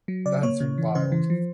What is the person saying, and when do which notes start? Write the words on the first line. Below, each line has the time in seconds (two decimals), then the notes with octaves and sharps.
That's wild.
0.08 F#3
0.26 C#3 D5
0.43 A#3 C#5
0.60 C#3
0.78 E3
0.95 C#3 C5
1.12 E3
1.30 F3